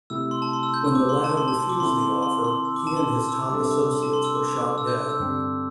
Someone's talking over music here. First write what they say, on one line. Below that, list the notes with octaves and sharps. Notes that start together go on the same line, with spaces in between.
When the latter refused the offer, he and his top associates were shot dead.
C3 A3 E4 E6
C6
A5
C6
E6
G6
E6
D6
C6
A5
C6
A5
C6
D6
D3 C4 E4 C6
C6
C6
C6
E6
D6
A5
C6
E6
C3 G3 D4 A4 D6
D6
C6
A5
C6
E6
D6
D6
E6
G6
E6
G2 D3 G3 C4